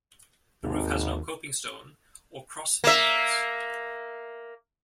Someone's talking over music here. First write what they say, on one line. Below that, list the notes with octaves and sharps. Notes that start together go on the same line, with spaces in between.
The roof has no Coping stone or Cross finials.
G#1 D#2
A#3 E5